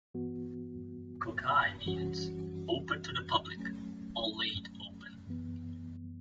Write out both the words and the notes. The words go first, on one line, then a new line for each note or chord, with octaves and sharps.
"Kokai" means "open to the public", or "laid-open".
G2 E3 B3 F#4
F#2 E3 G3 C#4 F#4
F#3 A3 C#4
F#2 E3 B3